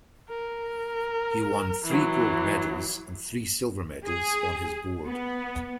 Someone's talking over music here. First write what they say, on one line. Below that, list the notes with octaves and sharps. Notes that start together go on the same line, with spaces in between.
He won three gold medals and three silver medals on his board.
A#4
E3 F#3
G#4
B3